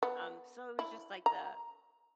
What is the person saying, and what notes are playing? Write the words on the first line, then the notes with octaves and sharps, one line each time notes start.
um, so it was just like the
B3
E4
A#5